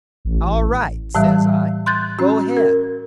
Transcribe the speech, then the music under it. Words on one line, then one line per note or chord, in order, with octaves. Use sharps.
"All right," says I, "go ahead."
A1
A2 E3 G3 E5
C6 F#6 G6 A6
C#4 F#4
A#4